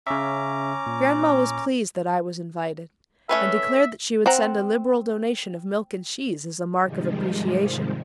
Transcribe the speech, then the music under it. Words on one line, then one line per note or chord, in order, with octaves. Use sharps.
Grandma was pleased that I was invited, and declared that she would send a liberal donation of milk and cheese as a mark of appreciation.
C#3 C#4 E5 A#5 D6
A#2
A3 C#4 B4 E5
C4 F#5 A#5
G#2 C3 D#3 F3 G3 G#3